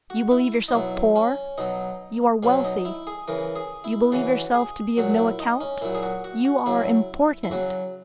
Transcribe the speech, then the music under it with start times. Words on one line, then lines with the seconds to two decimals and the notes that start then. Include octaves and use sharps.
You believe yourself poor; you are wealthy. You believe yourself to be of no account; you are important.
0.10 F#4
0.31 E4
0.68 D#4
0.73 B2 F#3 E4
1.16 C#4
1.58 B2 F#3 D#4
2.43 B2 F#3 C#4
2.65 D#4
2.85 E4
3.07 G#4
3.28 C#3 E3 A#4
3.56 G#4
3.84 E4
4.12 C#3 E3 F#4
4.54 G#4
4.97 A#2 F#3 F#4
5.18 E4
5.40 D#4
5.61 C#4
5.81 A#2 F#3 E4
5.95 G#4
6.03 F#4
6.24 F#4
6.45 F#4
6.66 C#3 F#3 E4
7.44 E4
7.51 C#3 F#3 F#4